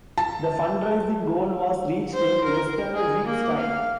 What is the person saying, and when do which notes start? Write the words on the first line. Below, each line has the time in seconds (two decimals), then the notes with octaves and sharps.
The fundraising goal was reached in less than a week's time.
0.18 A5
2.13 C5
2.45 A#4
2.94 G#4
3.25 A#3
3.58 F5